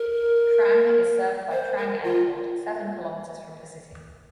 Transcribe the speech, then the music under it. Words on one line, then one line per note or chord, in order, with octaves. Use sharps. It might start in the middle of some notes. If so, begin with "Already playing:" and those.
Trang is served by Trang Airport, seven kilometers from the city.
Already playing: A#4
C5
A#4
F4